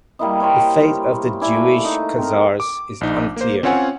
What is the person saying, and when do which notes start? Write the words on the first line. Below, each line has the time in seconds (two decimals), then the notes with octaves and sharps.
The fate of the Jewish Khazars is unclear.
0.19 G3 A#3 E4 D#5
0.40 A#4 C5 C#5 G5
1.41 E4 A#4 D5 G#5
1.55 A3 A#3
1.85 D#4
2.18 C4 A#4
2.60 D6
3.01 A#1 D#4
3.36 A#3 C5
3.63 C4 C#4 F4 C#5 F#5 G#5